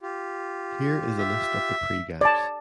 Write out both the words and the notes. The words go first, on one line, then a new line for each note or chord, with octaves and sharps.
Here is a list of the pregaps.
F4 G4
E5
C#5 D5 A5